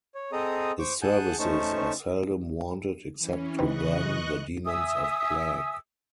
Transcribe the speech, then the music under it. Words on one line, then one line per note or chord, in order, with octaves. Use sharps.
His services are seldom wanted except to ban the demons of plague.
C#5
C4 G#4 A4 D#5 A#5 D#6
C5 C#6 D6
G#4 F#5 G#5 A5 F#6 G6
A3 C#4 D#4 C5 A5 C#6
E3 C#4
C#3 C4 D#4 B4 D#5 C#6 F#6
E5 G#5 D#6 E6